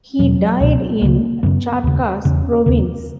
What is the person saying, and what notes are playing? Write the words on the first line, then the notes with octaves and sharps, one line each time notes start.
He died in Charcas Province.
E2 B2 F#3
C#2 B2
C#2 C#3 A#3
F#2 C#3 B3
D#2 C#3
E2 C#3 C#4
D#2 C#3